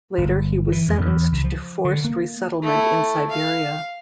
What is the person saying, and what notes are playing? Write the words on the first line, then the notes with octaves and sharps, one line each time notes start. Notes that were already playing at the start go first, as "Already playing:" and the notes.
Later he was sentenced to forced resettlement in Siberia.
G1
E3
F2
E2
C#2
F3
D3
A#3
A3 E4
F5